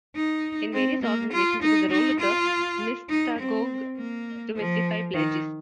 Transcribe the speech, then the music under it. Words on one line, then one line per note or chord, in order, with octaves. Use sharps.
In various organizations, it is the role of the mystagogue to "mystify" pledges.
D#4
C4
A#3
F4
D#4
D#4
F4
D#4
C4
A#3
F3
D#3